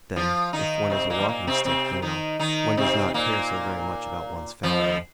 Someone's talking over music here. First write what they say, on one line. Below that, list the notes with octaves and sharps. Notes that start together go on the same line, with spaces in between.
But then, if one is a Walking-Stick, you know, one does not care so very much about one's family.
F3 F4
D#3 D#4
C3 C4
A#2 A#3
G3
A#2 A#3
C3 C4
C3 C4
D#3 D#4
D#3 D#4
C3 C4
A#2 A#3
F2 F3